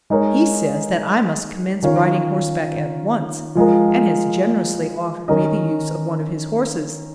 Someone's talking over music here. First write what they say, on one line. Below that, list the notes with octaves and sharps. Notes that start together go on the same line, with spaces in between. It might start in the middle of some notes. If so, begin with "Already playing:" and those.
He says that I must commence riding horseback at once, and has generously offered me the use of one of his horses.
G#3 D#4 A#4 C#5
D#3 C#4 F4 C#5
F3 G#3 F4 A#4
D#3 C#4 A#4 D#5